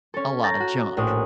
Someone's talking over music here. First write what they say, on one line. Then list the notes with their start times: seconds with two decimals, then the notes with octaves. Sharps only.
a lotta junk.
0.14 C#4 A4
0.44 A#5 G6 A6
0.60 F#4
0.97 A#1 A2 D#6